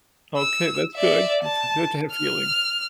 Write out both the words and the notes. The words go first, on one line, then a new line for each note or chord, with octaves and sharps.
Okay, that's good. That's good to have feelings.
E6
D5 E5
A5
F6